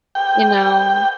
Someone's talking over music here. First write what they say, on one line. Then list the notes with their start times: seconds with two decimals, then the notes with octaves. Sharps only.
you know
0.15 G5